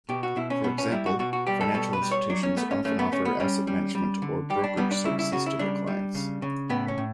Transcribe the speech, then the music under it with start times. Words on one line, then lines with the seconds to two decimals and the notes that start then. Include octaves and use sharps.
For example, financial institutions often offer asset management or brokerage services to their clients.
0.09 B2 G4
0.23 F#4
0.36 B2 E4
0.50 C#4
0.64 B2 B3
0.78 C#4
0.91 G3 E4
1.06 F#4
1.19 B2 F#4
1.33 F#4
1.47 G3 G4
1.61 A4
1.74 B2 A4
1.93 B4
2.02 G3
2.11 C#5
2.30 F#3 D4
2.43 C#4
2.57 A3 B3
2.71 C#4
2.85 A3 C#4
2.99 B3
3.12 A3 C#4
3.25 B3
3.40 G3 C#4
3.67 G3
3.95 G3
4.22 D3
4.50 G3 G4
4.64 D4
4.77 G3 B3
4.91 D4
5.04 C#3 E4
5.19 E4
5.32 C#3 F#4
5.46 E4
5.59 G3 D4
5.87 G3
6.15 C#3
6.42 C#3
6.70 A2 B3
6.88 C#4
6.98 A2